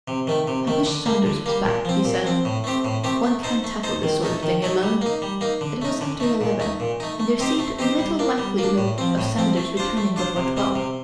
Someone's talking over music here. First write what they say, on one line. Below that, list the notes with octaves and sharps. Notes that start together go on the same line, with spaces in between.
"I wish Saunders was back," he said; "one can't tackle this sort of thing alone." It was after eleven, and there seemed little likelihood of Saunders returning before twelve.
C3
D#3 A3
C3
D#3 A3
D3
G3 A#3
D3
G3 A#3
A#2
F3 C4
A#2
F3 C4
A2
A3 C4 G4
A2
A3 C4 G4
A3
D#4 A4 C5
A3
D#4 A4 C5
D#3
A3 D#4 A4
D#3
A3 D#4 A4
G3
A#3 D#4
G3
A#3 D#4
D3
A3 D#4
D3
A3 D#4
A#2
A3 D#4
A#2
A3 D#4
A3
C4 D#4 G4 C5
A3
C4 D#4 G4 C5
G3
A#3 D4
G3
A#3 D4
A2
F3 C4
A2
F3 C4
A3
D4 F4 C5
A3
D4 F4 C5
C3
G3 C4
C3